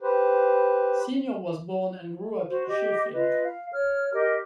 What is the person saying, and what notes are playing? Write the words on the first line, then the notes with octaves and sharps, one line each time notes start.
Senior was born and grew up in Sheffield.
G4 B4 C5
F#4 C5
G4 D#5
F4 B4 D#5
F5
C#5 F6
G4 A#4 D#5